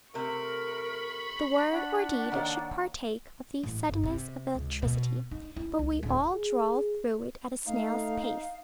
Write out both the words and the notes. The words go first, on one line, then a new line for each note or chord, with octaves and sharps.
The word or deed should partake of the suddenness of electricity; but we all drawl through it at a snail's pace.
C3 A3 A#4 B5 C#6
D4 F#5
D#3 A#3 C#5
A1
G1
C3
C#2
B2
D#4
E4
C#2
D1
G#4
A3 D#4 F5